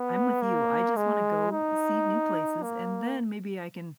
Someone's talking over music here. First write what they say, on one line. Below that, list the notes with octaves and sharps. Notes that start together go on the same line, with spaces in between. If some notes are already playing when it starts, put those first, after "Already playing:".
I'm with you, I just wanna go see new places, and then maybe I can,
Already playing: B3
A#3
G#3
D#4
A#3